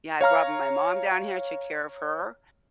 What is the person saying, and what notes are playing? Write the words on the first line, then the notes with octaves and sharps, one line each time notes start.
Yeah, I brought my mom down here, took care of her
C#5 F5 A#5 F6